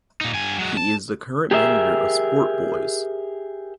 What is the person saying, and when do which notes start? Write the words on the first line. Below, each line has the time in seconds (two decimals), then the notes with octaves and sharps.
He is the current manager of Sport Boys.
0.21 A#2 D#4
0.35 G2 G#5
0.59 F#3 G#3
0.77 A5
1.51 G4 G#4 A#4 D#5 E5